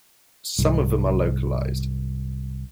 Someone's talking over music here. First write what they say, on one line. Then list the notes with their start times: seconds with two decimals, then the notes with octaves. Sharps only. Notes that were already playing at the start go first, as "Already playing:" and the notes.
Some of them are localized.
0.59 C2 G#2